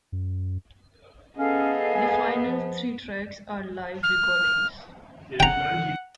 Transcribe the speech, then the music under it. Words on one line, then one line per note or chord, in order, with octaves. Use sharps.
The final three tracks are live recordings.
F#2
B3 C#4 G#4 A4 D#5 F5
G#5
F3
F6
F#5 G5 A#5